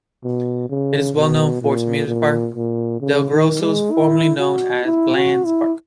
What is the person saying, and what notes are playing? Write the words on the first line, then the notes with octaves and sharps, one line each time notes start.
It is well known for its amusement park, DelGrosso's, formerly known as Bland's Park.
B2
C#3
B2
A#2
A#2
A#2
C#3
D#3
G#3
E4
F#4
E4
F#4
E4